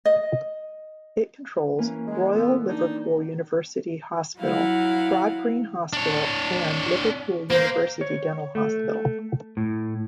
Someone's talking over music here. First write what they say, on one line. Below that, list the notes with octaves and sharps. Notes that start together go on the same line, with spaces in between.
It controls Royal Liverpool University Hospital, Broadgreen Hospital and Liverpool University Dental Hospital.
D#5
E3 A#3 C#4
G#3
A#2 D3 B3
D4 D#4
F#3 E4 F5 F#5
D4 C#5
A#3 C5
C#5
A3
A2